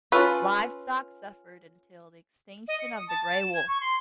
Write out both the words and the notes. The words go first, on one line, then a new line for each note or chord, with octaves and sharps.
Livestock suffered until the extinction of the grey wolf.
C#4 F4 A4 B4
D#5
C#7
D#6
A5
A6
E7
G#6
C#6
C6